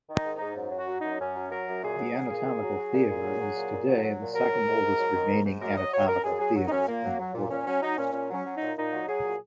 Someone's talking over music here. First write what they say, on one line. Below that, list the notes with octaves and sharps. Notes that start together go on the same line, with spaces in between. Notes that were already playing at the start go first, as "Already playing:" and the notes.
The anatomical theatre is today the second oldest remaining anatomical theatre in the world.
D#3
D#4
G#2
G#2 D#4
F#2
F#3
F#4
F#3
F#2 D#4
F#2 C#4
F#3
F#3 A#4
F#2
A#2 G#4
F#3
F#3
A#2
A#2
F#3
F#3
A#2
A#2
F#3
F#3
A#2
A#2
F#3
F#3
A#2
F#3 A#4
D#3
G#2
G#2
F#3
D#3
G#2
G#2
F#2 A#4
F#3 D#5
F#3 C#5
F#2 A#4
F#2 G#4
F#3 G#4
F#3
D#4
F#2 C#4
A#2 A#3
F#3
F#3
A#2
A#2 C#4
F#3 C#4
F#3 D#4
A#2 C#4
A#2 C#4
F#3 C#4
F#3
A#2 D#4
A#2 D#4
F#3
F#3 G#4
A#2